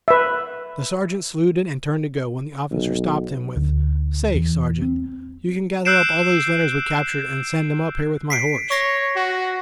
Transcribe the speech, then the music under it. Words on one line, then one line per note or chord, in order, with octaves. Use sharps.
The Sergeant saluted and turned to go, when the officer stopped him with, "Say, Sergeant, you can gather up all those letters we captured and send them up here with my horse."
B4 E5
B1
D2
E2
C4
E6 F#6 G6 C7 D7 E7
B6 C7 D7
C#5 C#6 A#6 C7
F#4